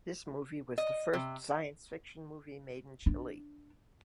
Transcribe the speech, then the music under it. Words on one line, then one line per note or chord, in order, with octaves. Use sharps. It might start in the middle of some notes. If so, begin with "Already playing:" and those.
This movie was the first science fiction movie made in Chile.
D#5
C3
D4